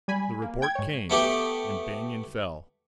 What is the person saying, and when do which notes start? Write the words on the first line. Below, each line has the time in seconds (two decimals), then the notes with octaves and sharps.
The report came; and Banion fell.
0.08 G3 G#5 B5
0.42 A#3
0.62 G5 G#6
0.75 G#2 C#5
1.10 A3 B3 G4